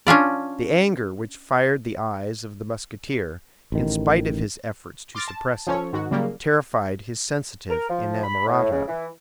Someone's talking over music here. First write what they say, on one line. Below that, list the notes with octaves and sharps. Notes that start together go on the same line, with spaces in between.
The anger which fired the eyes of the Musketeer, in spite of his efforts to suppress it, terrified his sensitive inamorata.
C#4 D4 F4 D5
A1 D#3
C6 D6 F6 A6 A#6
A5
F3 C#4 A4 C#5
G#2 D#3 F#4
C#3 F#3 G3 A#3
A#4
F3
B5
A2
C#3
E3